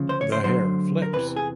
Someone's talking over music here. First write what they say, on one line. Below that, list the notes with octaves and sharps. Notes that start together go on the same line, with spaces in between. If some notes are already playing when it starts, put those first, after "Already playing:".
The hair flips!
Already playing: D2 C#3 F3
C5
C#5
C5
D2 D3 F#3 C5
A#4
E2 C3 E3 B4
G#4